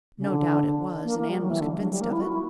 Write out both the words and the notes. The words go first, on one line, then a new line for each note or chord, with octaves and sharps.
No doubt it was, and Anne was convinced of it.
C#3
D3
A#3
A#3
G3
F#3
E3
D3
F#3
G3
A#3
E4
F#4
E4